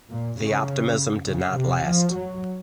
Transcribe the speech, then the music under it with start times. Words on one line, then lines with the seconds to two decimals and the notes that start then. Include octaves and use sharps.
The optimism did not last.
0.10 A#2
0.40 C#3
1.27 C#3
1.57 C3
1.85 F3
2.15 F#3